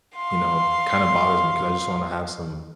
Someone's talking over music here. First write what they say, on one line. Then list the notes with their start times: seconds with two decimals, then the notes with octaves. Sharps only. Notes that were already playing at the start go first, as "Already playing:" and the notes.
you know, kinda bothers me 'cause I just wanna have some
0.15 F5 C6